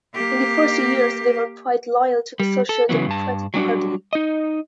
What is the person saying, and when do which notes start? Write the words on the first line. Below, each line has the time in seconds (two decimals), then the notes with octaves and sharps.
In the first years, they were quite loyal to the Social Democratic Party.
0.14 A#3 G4
2.40 G3
2.69 A4
2.89 C#3 E3 F#3 B3
3.06 G2 A5
3.54 F#3 G3 D4 F#4
4.13 D#4 D#5